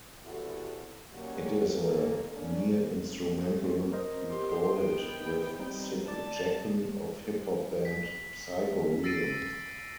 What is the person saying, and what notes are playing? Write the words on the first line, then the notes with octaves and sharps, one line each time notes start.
It is a near-instrumental recorded with Sick Jacken of hip-hop band Psycho Realm.
E2 C3 E4 F#4 A4
D#3 F#3 G3 A#3 C#4
G#2 A#3 A4
A#3 C#4 D4
A#4 C5 D#5
G4 C6
B3 G5
G3 C4 D#4
D5 A5
B6
E6 A6 A#6 C7 D7 D#7